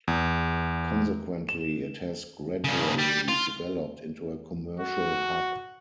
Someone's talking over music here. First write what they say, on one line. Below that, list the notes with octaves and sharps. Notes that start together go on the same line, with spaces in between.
Consequently, it has gradually developed into a commercial hub.
E2
E7
G2 C#3
G3
F4
F#4